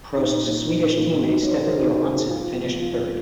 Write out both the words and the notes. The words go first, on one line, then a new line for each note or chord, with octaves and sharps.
Prost's Swedish team mate Stefan Johansson finished third.
A#2 D#4
F#3 A#3 C#4 F4
A#2 D#4
F#3 A#3 C#4 F4
C#2 D#4 F#4
C#5
C3 F#3 C5
A#4
G#4
C#2 D#4 F#4
C3 F#3
F2 F4
C#3 F3 A#3 C#4
F2 F4